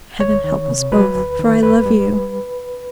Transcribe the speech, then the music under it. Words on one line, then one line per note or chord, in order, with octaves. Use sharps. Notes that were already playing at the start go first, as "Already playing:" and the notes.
"Heaven help us both; for I love you!"
D2 C#5
D#3
C3
F#3 B4
D2
D#3
F#2 B4
G3